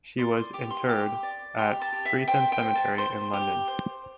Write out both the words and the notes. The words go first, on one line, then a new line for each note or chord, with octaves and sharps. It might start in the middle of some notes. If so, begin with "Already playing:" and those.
She was interred at Streatham Cemetery in London.
D5 C6
C6
G4 D6
C6
G4 D6
D5
G4 C6
A5
G4
E5
C5 G5
G5
C5
A5
C5 C6
G4
C5